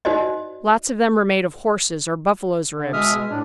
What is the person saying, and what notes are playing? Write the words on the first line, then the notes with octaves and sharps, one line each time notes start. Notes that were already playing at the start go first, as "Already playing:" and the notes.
Lots of them are made of horses' or buffaloes' ribs.
D#4 F#4 C5 D5 D#5
D3
B2 G#3 E5 D#6 F6
G#3
A2 D4